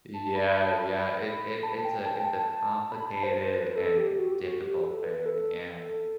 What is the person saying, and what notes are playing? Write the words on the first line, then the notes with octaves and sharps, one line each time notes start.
Yeah, yeah, it it it's a it's a complicated and difficult thing, and,
A5
B5
A5
B5
A5
G5
A5
G5
A5
B5
A5
C5
C5
B4
A4
G4
F#4
G4
F#4
G4
A4
B4
A4